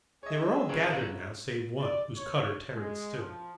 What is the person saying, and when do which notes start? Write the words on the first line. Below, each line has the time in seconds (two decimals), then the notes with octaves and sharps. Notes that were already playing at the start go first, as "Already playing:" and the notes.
They were all gathered now save one, whose cutter tarried still.
0.23 G#4 C#5 D#5 E5
0.69 F#3 C#4 F4 B4 D5
1.80 D5
2.16 C#5
2.73 G#3
3.17 F3